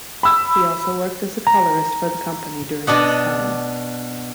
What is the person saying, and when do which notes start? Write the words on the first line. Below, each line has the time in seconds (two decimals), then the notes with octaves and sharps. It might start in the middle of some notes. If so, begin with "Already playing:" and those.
He also worked as a colorist for the company during this time.
0.23 B5 E6
1.47 A#5
2.87 B2 D4 D#5 F#5